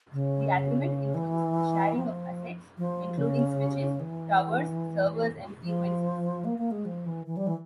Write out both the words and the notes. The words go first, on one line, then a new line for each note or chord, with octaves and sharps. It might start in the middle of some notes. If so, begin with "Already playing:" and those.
The agreement includes the sharing of assets including switches, towers, servers, and frequencies.
C#3
E3
F3
F3
C#3
E3
F3
A#3
A#3
G#3
F3
E3
E3
G3
E3